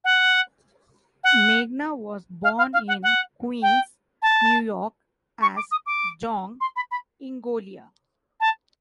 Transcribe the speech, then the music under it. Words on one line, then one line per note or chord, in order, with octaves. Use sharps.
Megna was born in Queens, New York, as John Ingolia.
F#5
F#5
F5
F5
F5
F#5
F#5
G5
A5
C#6
D6
D#6
D6
C6
B5
B5
A5